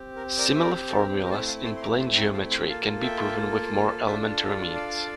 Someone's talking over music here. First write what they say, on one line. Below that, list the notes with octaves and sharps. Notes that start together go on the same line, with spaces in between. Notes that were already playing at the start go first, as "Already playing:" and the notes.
Similar formulas in plane geometry can be proven with more elementary means.
Already playing: C4 G4
A#4
A#4 D5
E5
A#4 D5
A4
A#4
A#4
A3 C4 E4 A4 C5
F5 A5
A5 C6
C6
A#5 D6
A5 C6
G5 A#5
F5 A5
A5 C6
A#3 F4 A4 F5 A5
E5 G5
D4 F4 A4 C5 E5
D5 F5